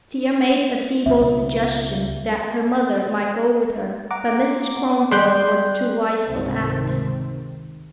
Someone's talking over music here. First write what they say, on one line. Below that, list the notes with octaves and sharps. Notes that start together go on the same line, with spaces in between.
Thea made a feeble suggestion that her mother might go with her, but Mrs. Kronborg was too wise for that.
C#2 B2 E5
F#5 A#5 D6
G3 C6 F#6 G6
G#1 C#2 C3 D#3 C4